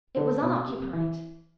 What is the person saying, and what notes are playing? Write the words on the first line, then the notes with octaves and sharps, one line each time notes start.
It was unoccupied.
D3
B2
C3
E3